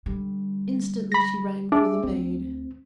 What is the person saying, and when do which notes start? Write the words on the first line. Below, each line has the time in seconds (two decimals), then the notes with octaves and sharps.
Instantly she rang for the maid.
0.06 D3 G3
1.12 B5 A#6
1.72 D4 G#4 E5 D6
2.03 D2 C4